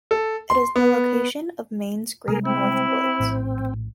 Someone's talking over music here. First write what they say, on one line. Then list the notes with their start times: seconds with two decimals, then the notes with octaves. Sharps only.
It is the location of Maine's Great North Woods.
0.11 A4
0.50 C6
0.76 B3
2.28 C3 G3 G#3 G#4 A#4
2.45 C4 E4
3.20 A#1 A2